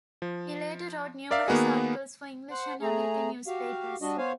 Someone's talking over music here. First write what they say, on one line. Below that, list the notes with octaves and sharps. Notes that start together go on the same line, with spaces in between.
He later wrote numerous articles for English and American newspapers.
F3
A#4 D5 E5 F5
D#3 A#3 B3 F#4 G#4
C5 F#5
A3 G#4 A#5
F#4 G4 F5
G3 D4 F#4 D#5
B3 C5 C#5 F5 G#5